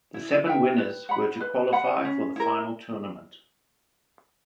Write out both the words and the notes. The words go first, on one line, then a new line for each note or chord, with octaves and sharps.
The seven winners were to qualify for the final tournament.
E4
B4 E5 G5
B4
F#5 B5
B4
F#5 B5
C#4
E4 A#4